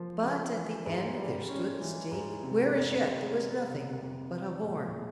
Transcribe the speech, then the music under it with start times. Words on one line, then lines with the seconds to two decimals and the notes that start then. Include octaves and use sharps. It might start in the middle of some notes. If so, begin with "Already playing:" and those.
But at the end there stood a stake where as yet there was nothing but a horn.
Already playing: F3 A#3 F4
0.23 C#3
0.55 E3
0.86 G#2
1.17 G3
1.49 C#4
1.80 E3
2.12 G#2
2.43 C3
2.74 F2
3.06 G3
3.38 A#3
3.69 C3
4.00 F2
4.32 F3
4.63 A#2
4.94 G#3